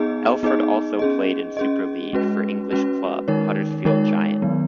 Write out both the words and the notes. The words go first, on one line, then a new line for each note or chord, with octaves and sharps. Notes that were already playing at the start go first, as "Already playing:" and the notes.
Elford also played in Super League for English club, Huddersfield Giants.
Already playing: B3 D#4 G#4 D#5
B3 D#4 G#4 D#5
C#4 G#4 D#5
C#4 G#4 D#5
G#3 C#4 F#4 B4
G#3 C#4 F#4 B4
D#3 G#3 D#4 A#4 C#5
D#3 G#3 D#4 A#4 C#5
D#3 F#3 B3